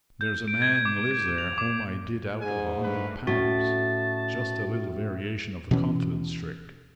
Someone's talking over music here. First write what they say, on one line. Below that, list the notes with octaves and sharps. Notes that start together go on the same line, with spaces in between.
There's a man lives there whom I did out of a hundred pounds-- just a little variation of the confidence trick.
G6
D7
G#6
D6
G#6
F7
D6
G#2 G#4 G#5
G2 A3 B4
A2 C#4 F#4 A5
B2 E3 C#4